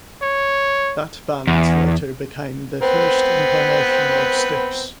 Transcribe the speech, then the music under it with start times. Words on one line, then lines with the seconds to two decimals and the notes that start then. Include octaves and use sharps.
That band later became the first incarnation of Styx.
0.22 C#5
1.47 E2
2.82 B3 C4 B4